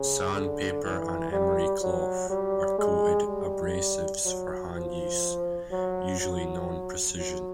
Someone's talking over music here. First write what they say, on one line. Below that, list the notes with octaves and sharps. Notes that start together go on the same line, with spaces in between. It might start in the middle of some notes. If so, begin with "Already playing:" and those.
Sandpaper and emery cloth are coated abrasives for hand use, usually non-precision.
Already playing: C#3
D3
E3
G3
F#3
G3
G#3
G3
F#3
F3
F#3
F#3
F#3